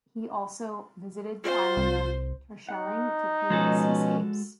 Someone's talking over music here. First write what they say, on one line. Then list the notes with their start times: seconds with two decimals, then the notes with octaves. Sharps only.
He also visited the island of Terschelling to paint seascapes.
1.44 F4 C5
1.77 C2
2.69 D#4 F#5
3.50 B2 F3 G#3 C#4 F#4 A4